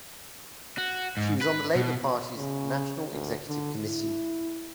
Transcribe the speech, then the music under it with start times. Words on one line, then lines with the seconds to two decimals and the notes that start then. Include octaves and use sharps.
She was on the Labour party's National Executive Committee.
0.78 F#4
1.17 G#2
1.41 B4
1.75 B2
2.36 C#3
3.10 D2
3.48 D3
3.86 E4